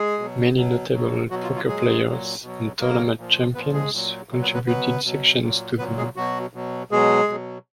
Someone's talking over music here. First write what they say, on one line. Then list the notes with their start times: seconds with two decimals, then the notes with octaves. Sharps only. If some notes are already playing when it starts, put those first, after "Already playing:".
Many notable poker players and tournament champions contributed sections to the book.
Already playing: G#3 G#4
0.19 B2 F#3
0.56 B2 F#3
0.94 B2 F#3
1.30 B2 F#3 F#4
1.43 F4
1.56 F4
1.68 A#2 F#3 G#3 G#4
2.06 A#2 F#3
2.42 B2 F#3
2.80 B2 F#3 A#3 A#4
3.18 A#2 F3
3.55 A#2 F3 B3 B4
3.73 G#3 G#4
3.92 A#2 F#3
4.29 A#2 F#3
4.42 B3 B4
4.54 B3 B4
4.67 B2 F#3 B3 B4
5.04 B2 F#3
5.41 A#2 F#3
5.78 A#2 F#3 B3 B4
5.97 G#3 G#4
6.16 B2 F#3 F#4
6.54 B2 F#3
6.91 B2 F#3 G#3 G#4
7.28 B2 F#3